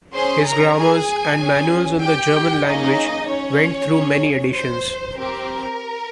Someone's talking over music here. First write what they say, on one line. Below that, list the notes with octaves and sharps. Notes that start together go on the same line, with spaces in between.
His grammars and manuals on the German language went through many editions.
C#4 G#4 C5 C6
A#4 A#5
G#4 G#5
C#4 G#4
G4 G5
A#3 C#4 D#4 G#4 D#5
C#4 C#5
C#4 G#4
C5
C4 G4 A#4